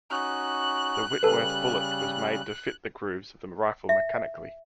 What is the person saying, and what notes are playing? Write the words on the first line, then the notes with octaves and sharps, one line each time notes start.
The Whitworth bullet was made to fit the grooves of the rifle mechanically.
C#4 D#4 F#4 F#6
C#3 G3 A4 B4
E5